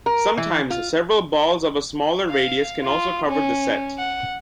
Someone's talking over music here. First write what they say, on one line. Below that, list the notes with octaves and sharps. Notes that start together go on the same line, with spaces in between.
Sometimes several balls of a smaller radius can also cover the set.
A#4
E3
F4
F5
F4
C#4
F#5